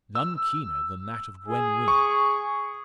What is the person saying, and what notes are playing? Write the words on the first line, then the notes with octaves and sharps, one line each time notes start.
None keener than that of Gwen Wynn.
E6
G#4
C#6